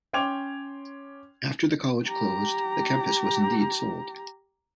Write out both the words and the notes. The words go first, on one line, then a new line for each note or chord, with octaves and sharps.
After the college closed, the campus was indeed sold.
C#4 G5 C6 D6 G#6 F7
G4 A#5